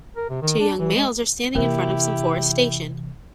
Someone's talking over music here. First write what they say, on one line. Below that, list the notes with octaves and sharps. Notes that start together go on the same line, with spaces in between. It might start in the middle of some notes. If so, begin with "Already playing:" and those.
Two young males are standing in front of some forestation.
A#4
C3
D#3
D4
E3
G#3
C3 E3 A#3 E4 G4 A#4